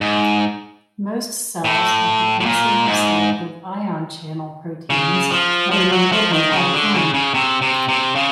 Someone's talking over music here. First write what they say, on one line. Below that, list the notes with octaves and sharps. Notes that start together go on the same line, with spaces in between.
Most cells have potassium-selective ion channel proteins that remain open all the time.
G#2
A2
A2
A#2
G#2
C#3
F3
F3
F#3
F3
D#3
C#3
D3
C#3
C#3
C3
C3
C3
C#3